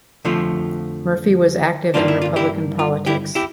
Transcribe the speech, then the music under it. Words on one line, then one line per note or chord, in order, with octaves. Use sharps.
Murphy was active in Republican politics.
F2 D3 F3 A3 F4
G2 D3 G3 A#3 D4 F4
E4
F4
E4 G4
F4
E4 G4
E4 G4